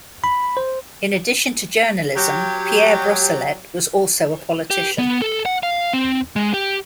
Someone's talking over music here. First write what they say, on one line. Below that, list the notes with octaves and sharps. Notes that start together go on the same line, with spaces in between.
In addition to journalism, Pierre Brossolette was also a politician.
B5
C5
F#3 G4
G4
B3
A4
F#5
F5
C4
G#3
G4